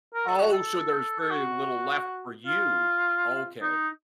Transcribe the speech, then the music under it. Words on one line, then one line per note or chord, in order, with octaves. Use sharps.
Oh, so there's very little left for you. Okay,
A#4
A4
F#4
A4
A4
F#4
F4
D#4